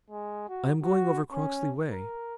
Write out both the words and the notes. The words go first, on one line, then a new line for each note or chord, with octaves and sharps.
"I am going over Croxley way."
G#3
F#4
F#4
C#4
A#4